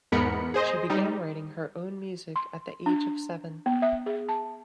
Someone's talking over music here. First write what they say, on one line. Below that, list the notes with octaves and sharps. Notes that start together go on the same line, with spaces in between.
She began writing her own music at the age of seven.
E2 G#2 B3 A#4 B5 C#7
G#4 C5 D#5
G3 D#4
C6
D4
B3
E5
G#4
A5